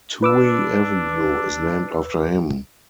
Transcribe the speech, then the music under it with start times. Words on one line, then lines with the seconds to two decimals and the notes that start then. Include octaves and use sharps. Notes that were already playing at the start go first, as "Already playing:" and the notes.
Touhy Avenue is named after him.
0.22 D4 B4 D6 E6